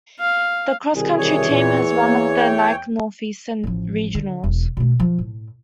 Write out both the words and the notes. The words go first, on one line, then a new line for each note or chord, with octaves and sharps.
The Cross Country team has run at the Nike Northeastern Regionals.
F5
C2 B2 D#3 G#4
C2 E3 C#5
E2 A#2
A#3
G5
A1 F3
D3
E1
B2 A3
F3
A2